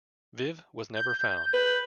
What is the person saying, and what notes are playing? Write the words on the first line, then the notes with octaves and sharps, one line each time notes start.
Viv was never found.
G6
B4